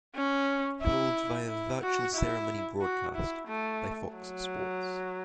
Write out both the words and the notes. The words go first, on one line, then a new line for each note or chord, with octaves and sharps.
Held via virtual ceremony broadcast by Fox Sports.
C#4
E4
E4
F#4
E4
F#4
E4
A3
F#3